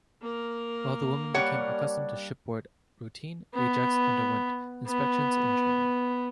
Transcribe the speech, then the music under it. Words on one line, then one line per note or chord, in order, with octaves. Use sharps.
While the women became accustomed to shipboard routine, "Ajax" underwent inspections and training.
A#3 A#4
G3 D4 G4 C#5 F5 F#5
B3
B3